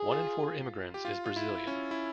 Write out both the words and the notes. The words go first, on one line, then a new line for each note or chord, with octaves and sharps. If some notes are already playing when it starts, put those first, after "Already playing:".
One in four immigrants is Brazilian.
Already playing: G#4
F4
G4
F4
F4
E4
C#4
E4